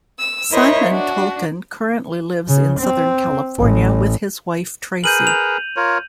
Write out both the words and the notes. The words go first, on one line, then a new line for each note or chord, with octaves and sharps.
Simon Tolkien currently lives in southern California with his wife Tracy.
E6
E4 A#4 C5 C#5 D#5 E5
D4 F#4
C#3
C4
A1
G#4 A#4 B4 G6 D#7 F#7
F7
F4 A#4 C#5